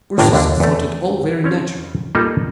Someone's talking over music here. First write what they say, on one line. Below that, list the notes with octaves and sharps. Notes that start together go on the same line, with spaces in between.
Ursus thought it all very natural.
G1 A2 A#3 D4 G5 A#5
D#2 D3 D4
E2 A3
C4 C#4 C#5
G3 A#3 D#4 F4 A4